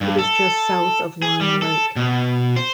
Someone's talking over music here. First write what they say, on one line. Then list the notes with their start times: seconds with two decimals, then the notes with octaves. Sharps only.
It is just south of Lime Lake.
0.01 G2
0.19 A4
1.22 G#4
1.41 G3
1.62 A4
1.96 B2
2.56 C5